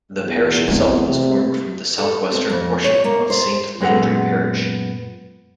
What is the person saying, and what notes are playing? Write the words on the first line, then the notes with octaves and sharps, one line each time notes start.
The parish itself was formed from the southwestern portion of Saint Landry Parish.
E2
A3 C4
C3
A4
C4
F2
C#5
A#3
C5
F#2 A#2 G#3 B3 A4 F#5